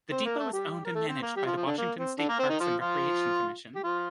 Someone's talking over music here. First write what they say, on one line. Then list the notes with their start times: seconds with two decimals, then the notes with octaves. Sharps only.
The depot is owned and managed by the Washington State Parks and Recreation Commission.
0.11 C4 C5
0.25 A#3 A#4
0.39 A3 A4
0.53 G3 G4
0.85 A#4
0.95 A3 A4
1.08 C4 C5
1.23 A#3 A#4
1.36 G3 G4
1.46 F3 F4
1.56 F3 F4
1.67 D3 D4
1.78 A#3
1.98 C4
2.18 D3 D4
2.29 A#3 A#4
2.39 C4 C5
2.49 D#3 D#4
2.60 F3 F4
2.80 F3 F4
3.75 G4
3.83 F3 F4